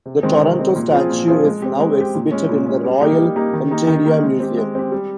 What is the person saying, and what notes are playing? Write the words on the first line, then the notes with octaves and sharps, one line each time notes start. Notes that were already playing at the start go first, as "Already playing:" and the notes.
The Toronto statue is now exhibited in the Royal Ontario Museum.
C3
D#3 G#3 C4
C3
D#3 G#3 C4
A#2
F3 C4 F4 G#4
A#2
F3 C4 F4 G#4
G#3
C4 G4
G#3
C4 G4
A#2
G#3 C#4
A#2
G#3 C#4
G3
A#3 D#4 G4
G3
A#3 D#4 G4
D#3
A#3 D#4 G4
D#3
A#3 D#4 G4
G#3
C4 G4
G#3
C4 G4
G3